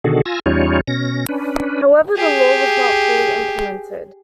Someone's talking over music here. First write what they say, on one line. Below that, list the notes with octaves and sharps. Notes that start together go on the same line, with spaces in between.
However, the law was not fully implemented.
B2 D3 D#3 F#4 G#4 A4
F4 G#5 E6 A#6
E2 G3 C#4 D#4 F4 C#5
B2 C#4 A#6
C#4 D4 B4
G4 G#4